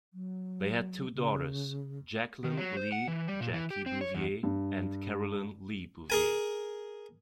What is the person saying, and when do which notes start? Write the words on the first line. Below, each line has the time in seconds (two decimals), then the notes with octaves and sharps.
They had two daughters, Jacqueline Lee "Jackie" Bouvier and Caroline Lee Bouvier.
0.14 F#3
1.13 C#3
2.44 D#3
2.58 F#3
2.77 C5
2.92 F#5
3.08 E3
3.28 G3
3.41 A#2
3.54 E3
3.71 G4
3.86 C4
4.01 C#5
4.15 E2
4.43 G2
6.10 G#4 A#4 G#5